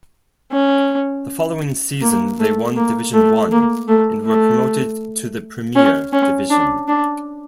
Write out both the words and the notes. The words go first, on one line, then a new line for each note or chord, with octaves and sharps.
The following season they won Division One and were promoted to the Premier Division.
C#4
A#3
A3
A#3
A3
A#3
A3
A3
C#4
C#4
D4
D4